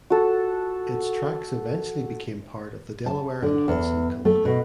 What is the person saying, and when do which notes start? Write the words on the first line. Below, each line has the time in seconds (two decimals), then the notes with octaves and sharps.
Its tracks eventually became part of the Delaware and Hudson Company.
0.10 F#4 A4
3.06 A5
3.42 D3
3.68 E2
4.25 A3
4.45 B2